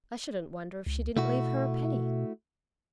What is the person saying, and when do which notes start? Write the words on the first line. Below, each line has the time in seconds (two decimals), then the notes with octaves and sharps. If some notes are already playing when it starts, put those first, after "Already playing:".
I shouldn't wonder if she didn't leave her a penny.
0.86 C#2
1.17 B2 A3 E4 F#4